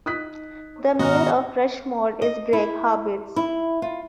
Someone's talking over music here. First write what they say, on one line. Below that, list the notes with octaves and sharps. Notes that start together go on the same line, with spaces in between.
The mayor of Rushmore is Gregg Harberts.
D#4 D#6 F#6 B6
G#2 B2 D#3 F#4 D#5 F#5 A#5 F6
D#5
E4
E4
F4